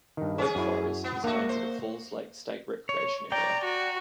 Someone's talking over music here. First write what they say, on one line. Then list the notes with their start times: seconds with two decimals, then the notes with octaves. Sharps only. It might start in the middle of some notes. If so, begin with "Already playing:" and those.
Wake Forest is home to the Falls Lake State Recreation Area.
0.17 G2 D#3
0.38 C#4 G#4
0.55 F#2 E4
1.04 B3
1.24 A#3 D4 F#4 E5
1.49 C5
2.89 C#5
3.32 D5 G5 A#5
3.64 F#4